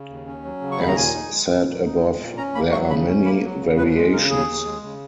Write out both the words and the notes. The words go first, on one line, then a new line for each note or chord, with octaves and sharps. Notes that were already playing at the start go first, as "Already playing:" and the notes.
As said above, there are many variations.
Already playing: C#3
D#2
C#4
F#3
C#3
C#6
D#2 B5
A#5
A#2 G#5
D#4
G#3
A#2
A#2
D#4
G#3
A#2
C#4 A#5
A#3 B5
F#3 C#6
C#3 B5
C#4
A#3 B5
F#3
C#3
D#2 B4
G#3
C#3 A#4
D#2 G#4
D#2
G#3
C#3